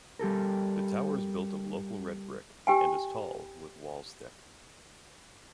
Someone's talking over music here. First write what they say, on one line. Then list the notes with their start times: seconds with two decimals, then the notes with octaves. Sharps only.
The tower is built of local red brick, and is tall, with walls thick.
0.19 G3 G4 A4 A#4
2.67 G4 G5 G#5